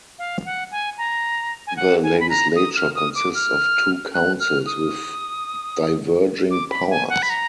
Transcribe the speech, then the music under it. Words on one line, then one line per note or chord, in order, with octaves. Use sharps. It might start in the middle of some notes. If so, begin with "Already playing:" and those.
The legislature consists of two councils with diverging powers.
F5
F#5
G#5
A#5
G#5
F#5
G#5
B5
A#5
D#6
F6
D#6
D6
F6
F#6
F6
D#6
D6
B5
G#5
F#5
B5
A#5